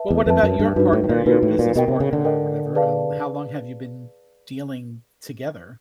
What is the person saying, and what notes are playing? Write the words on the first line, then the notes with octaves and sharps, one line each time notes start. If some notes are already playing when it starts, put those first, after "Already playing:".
Well, what about your partner, your business partner, or whatever, um, how long have you been dealing together?
Already playing: B4 E5 A5
E2
F2 B4 E5 A5
F#2
G2
G2 D#4 F#4 B4
A2
A2
A#2
A#2 D#4 F#4 B4
A2
A#2
B2 A#4 D#5 G5
C3
C#3
D3
A#4 D#5 G5
G#4 B4 D5 F5 A5